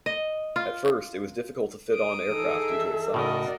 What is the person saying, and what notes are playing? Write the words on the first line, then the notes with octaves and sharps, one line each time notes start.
At first it was difficult to fit on aircraft due to its size.
D#5
F4
D#6 D7
E3 D#4 G#4 A4
E5
A2 C#3 D#4 F#4 A#4 D5 D#5